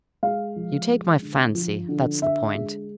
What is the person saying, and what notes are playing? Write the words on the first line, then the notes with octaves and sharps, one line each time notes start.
You take my fancy; that's the point!
G#3 F5
F3
G#3
D3
F3
D3
D3 E5
G#3